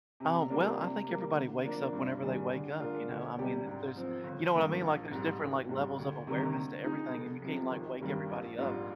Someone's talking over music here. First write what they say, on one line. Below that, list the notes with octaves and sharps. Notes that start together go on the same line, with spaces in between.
Uh, well, I think everybody wakes up whenever they wake up, you know? I mean, there's you know what I mean, like, there's different, like, levels of awareness to everything, and you can't, like, wake everybody up.
C3
G3 A#3 D4 F4
C3
G3 A#3
D3
F3 A#3 D4
G2
D#3 G3 D4 G#4
D3
G#3 D4 F4 A#4
D2
C3 G3 D4 G4
G#2
F3 C4
G1
G2 D#3 A#3
A#1
G#2 G3
G#1
G#2 G3
D2
C3 D#3 G3 A#3
D3
G#3 D#4
F1
F2 C3 F3
G#1
G2 D#3 G3
A#1
G#2 G3 D4 F4